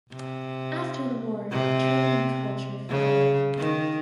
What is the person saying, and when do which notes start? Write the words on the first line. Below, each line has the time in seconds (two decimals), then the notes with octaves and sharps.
After the war, trade and culture flowered.
0.13 C3
1.51 C3
2.89 C#3
3.58 D#3